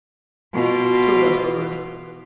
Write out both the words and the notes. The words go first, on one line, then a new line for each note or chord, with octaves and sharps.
Tode heard.
B2 F4